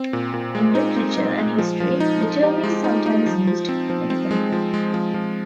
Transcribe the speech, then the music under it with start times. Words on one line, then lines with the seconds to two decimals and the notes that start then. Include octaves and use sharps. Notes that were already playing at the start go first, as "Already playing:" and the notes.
In literature and history, the term is sometimes used metaphorically.
Already playing: C4
0.13 A#2
0.34 A#2
0.55 G#3
0.75 D#4
0.96 C4
1.18 D#4
1.38 G#3
1.58 F3
1.80 F3
2.00 D#4
2.22 D#4
2.43 G4
2.63 G#3
2.84 D#4
3.06 D#4
3.26 F3
3.47 F3
3.69 C4
3.90 F3
4.10 C4
4.31 G#3
4.52 F3
4.74 G#3
4.94 F3
5.14 F3